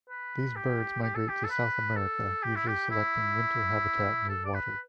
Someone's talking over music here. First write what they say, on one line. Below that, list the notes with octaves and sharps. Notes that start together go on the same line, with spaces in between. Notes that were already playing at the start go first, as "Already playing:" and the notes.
These birds migrate to South America, usually selecting winter habitat near water.
B4
G4
G4
A4
G4
A4
B4
A4
G4
E4
G4
E4
A4
D5
B4